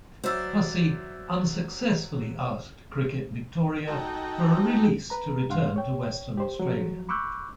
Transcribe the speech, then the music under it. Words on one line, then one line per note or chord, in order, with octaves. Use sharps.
Hussey unsuccessfully asked Cricket Victoria for a release to return to Western Australia.
F#3 C5 D5 E5 E6
D#4 F#4 A4 G5 A#5
B4 A#5
G2 D4 F5 F#5 C6
C#5 G5
G4 C5
F3 F#3
B5 C#6 D6 E6 F#6 G6